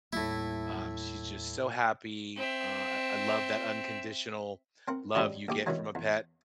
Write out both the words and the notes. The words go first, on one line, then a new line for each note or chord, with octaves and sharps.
um, she's just so happy, uh, I I love that unconditional love you get from a pet
D#2 A2 G3 A#3 E4
C4 E5
C4 A#4 F#5
G#2 G3 G#3 C#4 D4 F#4
A#1 G4 D6
B2 D#3 E3 F#3 G#3
E2